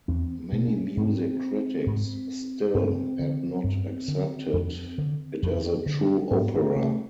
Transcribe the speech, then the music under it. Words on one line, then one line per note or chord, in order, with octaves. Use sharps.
Many music critics still had not accepted it as a true opera.
E2 C4
B2
C#4
G#2 C4
G#2
G2 C4
D3
G2
D3
F2
D3
F2
D3
G#2 B3
A#3
A3